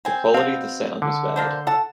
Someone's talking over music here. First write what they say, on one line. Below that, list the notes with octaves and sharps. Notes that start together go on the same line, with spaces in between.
The quality of the sound was bad.
C4 G#5
B2 C4 F5
D3
A#3 D4 C5
A4 F#5 A5